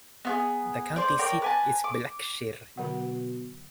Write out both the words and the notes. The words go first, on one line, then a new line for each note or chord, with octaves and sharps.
The county seat is Blackshear.
B3 F4 G#4
C5 D5
A#4 C#5 D5 G5
B4 G#5 A5
D6
B2 D3 F#3 F#5